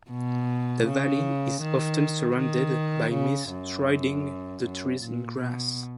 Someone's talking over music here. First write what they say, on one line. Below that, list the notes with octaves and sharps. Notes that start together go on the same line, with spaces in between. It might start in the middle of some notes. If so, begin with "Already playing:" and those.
The valley is often surrounded by mist shrouding the trees and grass.
B2
C#3
D#3
D#3
C#3
F#2
F#2
A#2
B2